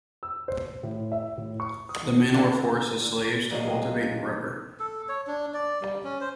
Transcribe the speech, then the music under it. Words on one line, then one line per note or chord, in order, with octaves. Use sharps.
The men were forced as slaves to cultivate rubber.
E6
C5
A2
E5
A2
C#6
D#6
D3
A#2 F3 F#3 G#3
A4
C#5
D4
D5
G3
C#4
C5